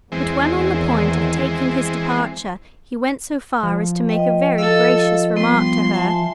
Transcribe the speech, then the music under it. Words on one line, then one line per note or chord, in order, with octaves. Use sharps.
But, when on the point of taking his departure, he went so far as to make a very gracious remark to her.
E2 D#3 E3 G#3 C4
F3
B4 D#5 G5
A4 D#5 F5 E6
G3 B3 C6
E5 G#5 A5